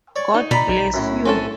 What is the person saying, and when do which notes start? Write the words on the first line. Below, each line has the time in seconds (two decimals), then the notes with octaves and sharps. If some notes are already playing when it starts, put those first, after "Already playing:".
God bless you.
0.16 C#5 D5
0.34 D#4
0.51 B2 D5 A#5 B5
0.68 B1
0.94 F#2 A2
1.25 C4 C#4 A4